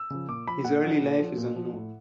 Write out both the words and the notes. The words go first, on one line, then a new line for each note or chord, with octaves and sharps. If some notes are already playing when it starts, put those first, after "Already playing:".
Her early life is unknown.
Already playing: E6
C#3 F3
A#2 D6
F3 B5
A#2 F#5
F3
A#2
F3
A#2
F3
A2